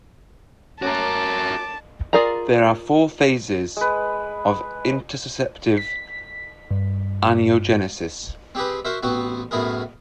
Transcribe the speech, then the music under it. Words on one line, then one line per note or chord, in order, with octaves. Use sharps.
There are four phases of intussusceptive angiogenesis.
A3 A#3 C#4 F#4 A#4 A5 D6
F4 G#4 A#4 D5 A#5
G#3 B4
B6
G2
C4 G4 G#4 B4
F#4 A#4 C5 E5
A1 B3 C4 F#4
F#2 A2 B3 E4 G#4 A#4